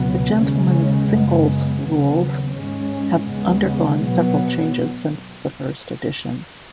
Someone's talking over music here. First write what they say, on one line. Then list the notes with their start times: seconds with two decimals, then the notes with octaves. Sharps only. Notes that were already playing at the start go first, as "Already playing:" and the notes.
The Gentlemen's Singles' rules have undergone several changes since the first edition.
Already playing: C#2 B2 F#3 B3
0.35 D#2 C#3 G#3 C#4
1.08 F#2 C#3 G#3 B3
1.81 D#2 C#3 F#3 B3
2.55 G#2 G#3 C#4
3.28 D#2 C#3 G#3 B3
4.02 B2 F#3 B3